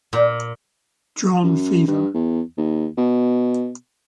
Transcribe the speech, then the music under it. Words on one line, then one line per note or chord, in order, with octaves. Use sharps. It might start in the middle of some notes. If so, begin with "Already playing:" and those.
John Feaver.
A#2
F#2
G2
E2
D#2
B2